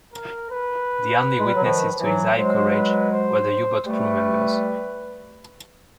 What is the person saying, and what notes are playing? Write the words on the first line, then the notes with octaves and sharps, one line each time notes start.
The only witnesses to his high courage were the U-boat crew members.
A#4
B4
G#3
G3
F#3
D#3 F3
E3 F#3
F#3 G#3 C5
B4
C5
G3 A3 B4